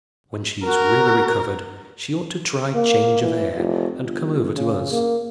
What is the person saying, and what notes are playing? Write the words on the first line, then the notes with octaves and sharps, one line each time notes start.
When she is really recovered, she ought to try change of air, and come over to us.
F#4 A#4
A#3
E3
F1
G1
C#3
A#3